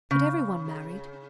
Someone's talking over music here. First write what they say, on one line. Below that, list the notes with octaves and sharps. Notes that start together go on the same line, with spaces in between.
But every one married.
C#3